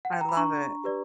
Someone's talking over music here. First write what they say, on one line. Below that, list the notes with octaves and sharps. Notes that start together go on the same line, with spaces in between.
I love it.
F#5
G5
A#5
B5
D4 A#5 C#6
G4 B4 D5